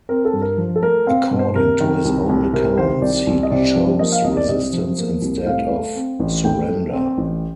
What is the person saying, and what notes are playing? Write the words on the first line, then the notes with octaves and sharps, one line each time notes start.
According to his own accounts, he chose resistance instead of surrender.
C4 A#4
A4
G2
A#4
F3
A4
A3 A#4
C4 F5
G2
C5
C3 A#4
D#3
C2
C2
C3 A#4
D#3 C5
C2 D5
C2
D#5
C3 D5
F3
A#3 D#5
F5
C2 D#5
D5
C3 D#5
F3
A#3
C2
A2 F5
A3
C4
A1
A2 G5
A3
C4
A1